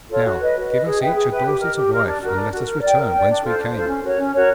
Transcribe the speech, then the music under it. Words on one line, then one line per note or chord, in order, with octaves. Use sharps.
Now give us each a daughter to wife, and let us return whence we came.'
F4 A4 C#5
F#4
B4 D#5
F#4
B4 D#5
G#4
B4 E5 G5
G#4
B4 E5 G5
G4
A#4 D#5
G4
A#4 D#5
D4
F#4 A#4
D4
F#4 A#4
A#4
D5 G5
A#4
D5 G5
D4
F4 A4 C5
D4
F4 A4 C5
C#4
F#4 A#4 C#5
C#4
F#4 A#4 C#5